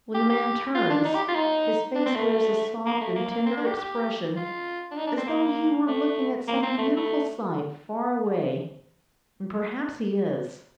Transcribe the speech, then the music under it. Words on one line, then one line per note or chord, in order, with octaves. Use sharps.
When the man turns, his face wears a soft and tender expression as though he were looking at some beautiful sight far away, and, perhaps, he is.
G4
G4
F4
D4
D#4
G4
F4
D#4
D4
C4
A3
A#3
A3
A#3
A#3
C4
D4
G4
G4
F4
D4
D#4
D4
C4
A#3
A3
A#3
C4
A3
A3